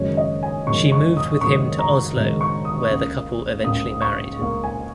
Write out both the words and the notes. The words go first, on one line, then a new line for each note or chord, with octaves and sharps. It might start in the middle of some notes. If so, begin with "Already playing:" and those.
She moved with him to Oslo where the couple eventually married.
Already playing: F#1 F#2 D#3 G#3 C#5
D#5
G#5
F#1 F#2 D#3 G#3 C#6
C#6
D#6
F#1 F#2 D#3 G#3 C#6
A#5
F#1 F#2 D#3 G#3
C#6
D#6
C#2 C#3 A#3
C#2 C#3 A#3 D#6
C#6
C#2 C#3 A#3
G#5